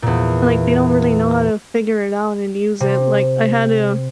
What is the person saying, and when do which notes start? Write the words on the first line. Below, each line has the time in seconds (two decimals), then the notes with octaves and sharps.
like, they don't really know how to figure it out and use it. Like I had a
0.02 E2 A#2
2.80 C3